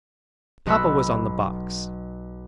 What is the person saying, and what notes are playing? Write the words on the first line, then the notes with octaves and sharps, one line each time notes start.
Papa was on the box.
B1 D#5 F#5 B5 E6